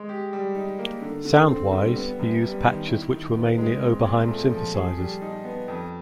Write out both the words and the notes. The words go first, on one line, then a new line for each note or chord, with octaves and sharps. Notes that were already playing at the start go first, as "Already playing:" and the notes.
Sound-wise, he used patches which were mainly Oberheim synthesizers.
Already playing: G#3
G4
G3
D#4
A#3
D3
D3
C4
G3
B3
F#2
G3
D#3
E4
D#3
B3
G#3
C4
A#2
A3
F3
G#4
G3
D#4
B3
F2